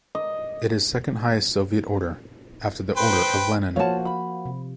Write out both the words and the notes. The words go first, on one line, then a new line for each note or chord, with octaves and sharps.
It is second highest Soviet order, after the Order of Lenin.
D#5
B4 C5 G5
F3 A#3 F#4 C5 C#5 F5 A5
B5
C3